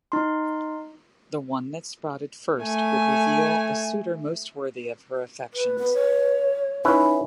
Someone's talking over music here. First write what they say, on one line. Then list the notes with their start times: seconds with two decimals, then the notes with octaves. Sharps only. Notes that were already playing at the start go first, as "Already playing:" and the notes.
The one that sprouted first would reveal the suitor most worthy of her affections.
0.12 D#4 C6
2.61 A3 G#5
5.54 B4
5.79 B3 B4
5.93 C#5
6.85 C#4 D#4 E4 B4